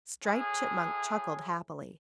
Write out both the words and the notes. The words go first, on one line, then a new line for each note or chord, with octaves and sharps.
Striped Chipmunk chuckled happily.
A2 G#4